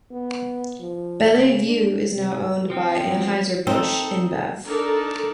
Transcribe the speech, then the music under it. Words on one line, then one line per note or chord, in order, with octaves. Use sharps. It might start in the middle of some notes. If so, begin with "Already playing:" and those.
Belle-Vue is now owned by Anheuser-Busch InBev.
B3
F3
C#3
D4
C3
F3 C4
C4 D#4 A4
D4 D#4 A4 A#4 D5